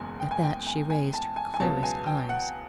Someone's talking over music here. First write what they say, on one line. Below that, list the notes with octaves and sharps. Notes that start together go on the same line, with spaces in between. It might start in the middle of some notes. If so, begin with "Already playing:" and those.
At that she raised her clearest eyes.
Already playing: F#1 E2 B2 G#3 G#5
G5
G#5
G5
G#5
G#5
A5
G#5
G#5
C#2 B2 F#3 B3 A5
G#5
G5
F#5